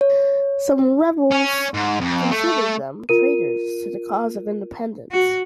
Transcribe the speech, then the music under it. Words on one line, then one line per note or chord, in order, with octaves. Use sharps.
Some Rebels considered them traitors to the cause of Independence.
C#5
C#4
G#2
F2
A3
F4 A#4 D#7
F#4